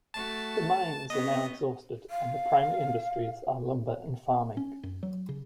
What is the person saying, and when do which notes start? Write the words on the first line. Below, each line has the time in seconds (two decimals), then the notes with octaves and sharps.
The mines are now exhausted and the primary industries are lumber and farming.
0.14 A3 F#4 A5
1.10 B3 C#4 D#5
2.10 F5
4.57 C#4
4.83 F#2
5.03 F#3
5.29 C#3